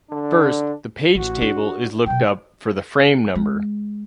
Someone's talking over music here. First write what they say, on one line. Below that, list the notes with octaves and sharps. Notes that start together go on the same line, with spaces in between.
First, the page table is looked up for the frame number.
D3 D4
A1 F#4
D4
B2 F#3 G5
G#3